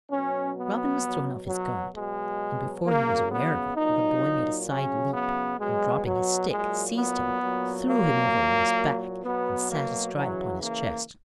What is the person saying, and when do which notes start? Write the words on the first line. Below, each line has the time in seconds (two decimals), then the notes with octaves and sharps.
Robin was thrown off his guard, and before he was aware of it the boy made a side leap and, dropping his stick, seized him, threw him over on his back, and sat astride upon his chest.
0.10 B2 F#3 C#4
0.56 B3
1.02 B2 F#3
1.47 F#3
1.93 B2 F#3 G#3
2.85 C#3 F#3 A#3
3.30 B3
3.76 A#2 F#3 D#4
4.67 C#3 F#3 C#4
5.13 B3
5.59 B2 F#3 G#3
6.05 F#3
6.49 A#2 F#3 G#3
6.95 B3
7.41 A#2 F#3
7.87 A#3
8.33 A#2 F#3
9.24 B2 F#3 B3
9.69 A#3
10.15 C#3 E3 F#3
10.61 A#3